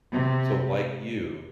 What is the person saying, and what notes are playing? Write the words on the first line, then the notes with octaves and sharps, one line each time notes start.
so like you,
C3